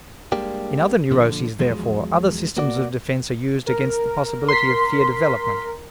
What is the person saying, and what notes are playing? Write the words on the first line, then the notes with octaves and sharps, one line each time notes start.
In other neuroses, therefore, other systems of defense are used against the possibility of fear development.
G3 G#3 A#3 D4 G4
A#2 D3 F3
E2 F3 F#3 G#3
A#3 F#4 D5
A#4
C6 B6